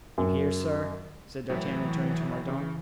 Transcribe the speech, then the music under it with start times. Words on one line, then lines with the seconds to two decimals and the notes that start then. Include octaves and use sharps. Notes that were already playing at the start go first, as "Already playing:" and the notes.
"You hear, sir," said D'Artagnan, turning to Mordaunt.
0.18 F#2
1.50 A2 E3 F#3 E4
2.48 C#3